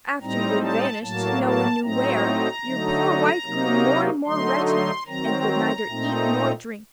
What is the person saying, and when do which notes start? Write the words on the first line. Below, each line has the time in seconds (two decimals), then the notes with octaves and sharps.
After you had vanished, no one knew where, your poor wife grew more and more wretched, and would neither eat nor drink.
0.21 A2 G3 C4 D#4 A#5
0.62 A5
1.03 A2 F#3 A#3 A5
1.43 A5
1.83 A2 F#3 A3 C4 D#4 A#5
2.64 D3 F#3 A3 D#4
3.45 C3 F#3 A#3 D#4
4.26 D3 F#3 A3 D#4 C6
4.67 C6
5.06 D#3 F#3 C4 A#5
5.87 A#2 A3 C4 D#4